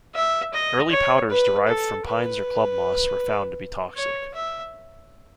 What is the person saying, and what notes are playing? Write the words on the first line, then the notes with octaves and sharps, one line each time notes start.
Early powders derived from pines or club moss were found to be toxic.
E5
D#5
C#5
B4
A4
B4
C#5
E5